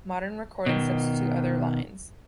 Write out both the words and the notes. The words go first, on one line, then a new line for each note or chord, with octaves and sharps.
Modern recordings substitute other lines.
B2 D#3